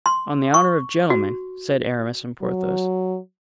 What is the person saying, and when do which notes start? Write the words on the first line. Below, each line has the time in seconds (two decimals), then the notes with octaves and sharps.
"On the honor of gentlemen," said Aramis and Porthos.
0.06 C6
0.54 C#6
1.10 F#4
2.42 F#3